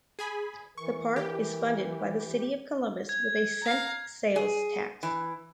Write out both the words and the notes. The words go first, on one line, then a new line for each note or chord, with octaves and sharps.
The park is funded by the City of Columbus with a -cent sales tax.
G#4 G#5 B5
E3 A#4 C#6
E3 G4
G#6
F5 A#5
G#4
E3